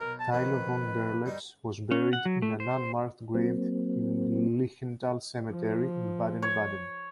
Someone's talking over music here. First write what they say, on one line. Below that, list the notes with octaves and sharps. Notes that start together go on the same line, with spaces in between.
Tilo von Berlepsch was buried in an unmarked grave in Lichtental cemetery, in Baden-Baden.
B1 A#4
A5
F2 D#3 B4
G2 G3 D#4
C#4
F#5
F#3
A3
C5
F#3 A#3 C4
F3
C#5